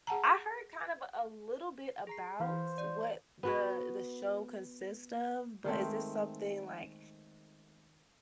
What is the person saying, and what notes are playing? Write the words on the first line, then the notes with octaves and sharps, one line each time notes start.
I heard kind of a little bit about what the the show consists of, but is this something like,
G#4 F#5 A5 A#5
G#4 A#5 C7
E3 B4 C5 F5 B5
D5
B3 F#4 B4
D#3 G#3 A3 C4